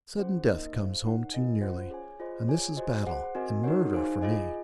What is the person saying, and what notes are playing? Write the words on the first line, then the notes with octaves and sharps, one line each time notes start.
Sudden death comes home too nearly, and this is battle and murder for me.'
C#4 F4 G#4 C5 F#5
A#3 D#4 A#4 D#5
G#4 C5 F5
D#4 A#4 C#5 F#5
F4 A#4 D#5 G#5
C#4 F4 C5 F#5
G#4 C#5 G#5
F4 G#4 C5 D#5
F4 G#4 C#5 G#5
F#4 C5 D#5 G#5
G#4 C5 F#5
C4 F#4 A#4 D#5 G#5
D#4 F#4 A#4 C#5 F#5
D#4 G#4 C5 F5 G#5
F4 G#4 D#5 G#5